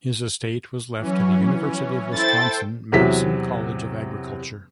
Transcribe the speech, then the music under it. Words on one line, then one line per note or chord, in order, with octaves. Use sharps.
His estate was left to the University of Wisconsin-Madison College of Agriculture.
E3 F#3 C#4
E4 A4 C5 G5 A6
E2 C3 F#3 E5 B6